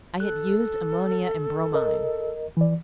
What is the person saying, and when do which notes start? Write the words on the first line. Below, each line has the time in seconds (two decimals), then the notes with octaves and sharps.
I had used ammonia and bromine.
0.20 A4 F#6
1.74 A#4 D#5
2.57 E3 D5